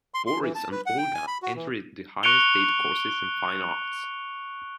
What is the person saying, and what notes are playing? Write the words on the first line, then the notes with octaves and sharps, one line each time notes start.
Boris and Olga entered the Higher State Courses in Fine Arts.
C6
C6
E3
A5
B4
F#5
G5
G#5
B5
F#4
E3
C#6 F#6 C#7 D7 F7 G7